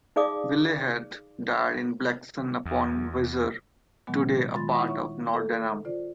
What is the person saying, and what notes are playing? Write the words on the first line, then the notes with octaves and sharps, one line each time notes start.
Willehad died in Blexen upon Weser, today a part of Nordenham.
D#4 G#4 D5 F5 D6 D#6
E2
A#2 D#3 F#3 G#3 B3
D#3 G#3 F4 B5 C6 A6
D#4 E4 F#5 B5 D#6
C#5 E5 C#6
A4
F4 C5 D5